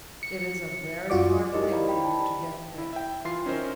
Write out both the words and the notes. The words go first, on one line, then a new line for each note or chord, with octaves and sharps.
It is a very hard thing for you to get there.
C#7
F#2 F4 F#4 D5 D6
D#4 E4 G4 A#4 C#5 D#5
E4 C5 D5 F5 A#5 B5
F5 G5 B5
A5
E4
E5 G5
E3 F4 C6 C7
C#4 D#4 A#4 C5 E5